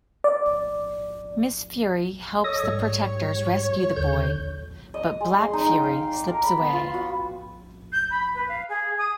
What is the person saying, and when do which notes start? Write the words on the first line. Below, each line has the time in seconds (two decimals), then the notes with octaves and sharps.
Miss Fury helps the Protectors rescue the boy, but Black Fury slips away.
0.24 D5
2.44 A4 C#5 D#5 D#6
2.63 G#2 G3
3.96 D#2 D3 G6
4.94 D#5
5.21 G#3
5.41 C6
5.53 D#4
5.67 G5
5.83 F5
6.12 D6
6.27 A#4
6.43 B5
6.57 B3
6.73 F4
6.94 F#4
7.92 G6
8.10 B5
8.34 B4
8.48 F5
8.68 G#4
8.97 D#6